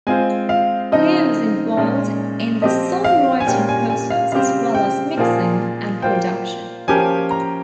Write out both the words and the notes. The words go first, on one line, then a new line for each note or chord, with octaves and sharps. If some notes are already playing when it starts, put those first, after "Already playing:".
He was involved in the songwriting process as well as mixing and production.
G#3 C4 F4 C5 G#5
F5
C#3 F3 C4 D#4 D#5
A#2 G#3 C#4
F3 C4 G4 D#5
F5
G#5
A#2 G3 A#3 C#4 G5
G#5
G#5
F5
C#3 G3 C4 G4 C5 F5
G5
A#2 F3 A#3 F4 G#4
A#3 F4 C5 G5
F3 A#3 C#4 G4 A#4 G#5
A#5